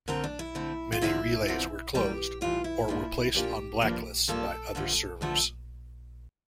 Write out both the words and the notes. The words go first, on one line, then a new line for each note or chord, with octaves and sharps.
Many relays were closed, or were placed on blacklists by other servers.
D3 A3 C4 A#4
D4
E4
D3 A3 C4
F4
E2 D3 F3 C4 E4
E2 D3 F3 C4
A2 E3 G3 G4
A2 E3 G3 F4
E4
A#2 F3 A#3 D4
A#2 F3 A#3 D4 G4
G2 F3 A#3 D4
G2 F3 A#3 D4 A4
G2 D3 F3 A3
G2 D3 F3 A3 A4